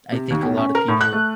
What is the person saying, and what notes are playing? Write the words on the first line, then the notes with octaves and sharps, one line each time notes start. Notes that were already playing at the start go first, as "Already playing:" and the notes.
I think a lot of people
C3
D#2
B1
C#4
A#4
A2
F#6
A3